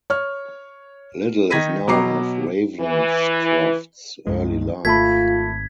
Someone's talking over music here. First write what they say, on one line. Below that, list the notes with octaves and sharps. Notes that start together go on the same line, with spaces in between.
Little is known of Ravenscroft's early life.
C#5 F6
D#3 D#4 G#6 A#6 B6 D#7
B2 F#3 D#5 A#5 D6 C7
E3
C#2 G2 G#3
G#1 A3 F4 A5 B5 G#6 B6